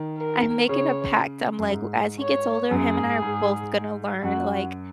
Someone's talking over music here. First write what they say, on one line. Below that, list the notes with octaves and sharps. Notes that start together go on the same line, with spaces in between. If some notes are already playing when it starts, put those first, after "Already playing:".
I'm making a pact, I'm like, "As he gets older, him and I are both gonna learn, like,
Already playing: D#3
A#4
C#3 C#5
F#2
G#2
C#5
F#2 G#4
G#2
G#2
F#2 F#4